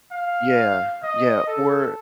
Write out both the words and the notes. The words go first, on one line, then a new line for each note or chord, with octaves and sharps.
Yeah, yeah, or
F5
D#5
A4